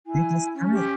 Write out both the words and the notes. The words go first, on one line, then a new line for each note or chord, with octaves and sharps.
be just kin
E4 G#5
C#4
G4